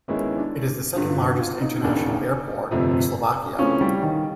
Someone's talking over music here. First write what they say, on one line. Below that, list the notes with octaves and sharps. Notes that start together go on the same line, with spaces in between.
It is the second largest international airport in Slovakia.
D#2 D#3 G#3 B3 C#4 E4
D4
G1 G2 D3 F4
F4
F#4
F4
D#4
E1 D#2 C#3 D4
G1 F2 C3 F3 A3
C#3 E3 A3 C4 C#4 F4
G3
D#3